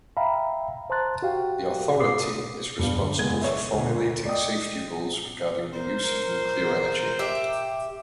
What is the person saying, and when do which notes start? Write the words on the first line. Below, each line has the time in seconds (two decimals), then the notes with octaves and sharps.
The authority is responsible for formulating safety rules regarding the use of nuclear energy.
0.17 E5 F5 G5 A#5 B5
0.90 C5 A5 A#5 C6 F#6 A6
1.22 F#4 G4 F5 G5
2.00 D6 D#6 C7
2.79 E1 G2 B2 G3 B4 F5
2.97 D3
3.18 F#1 G#3 B3 G#6
3.42 C#5 E5
3.72 D2
4.25 D5 D#5 G5 D#6
5.74 A#4 C5
7.19 G4 E5